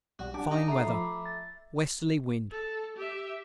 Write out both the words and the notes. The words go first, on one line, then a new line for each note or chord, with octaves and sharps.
Fine weather: westerly wind.
B1 G3 F#4
D4 G4 F#5 G#5 A5 D6
D#4 A#5 D6
A3 A#5 C7
F3 B5 D6 E6
A6
A4
G4 E5